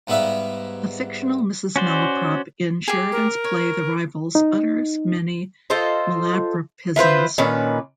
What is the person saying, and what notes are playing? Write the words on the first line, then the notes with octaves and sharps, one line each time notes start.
The fictional Mrs. Malaprop in Sheridan's play "The Rivals" utters many malapropisms.
G#2 G3 B3 B4 E5 F5
C#4 F#4 C5 D5
G4 G#4
A#4
C#5
D#4
F4 A4 C5 D#5
E4 F4 B4 C5
A#2 D#3 C#4 B4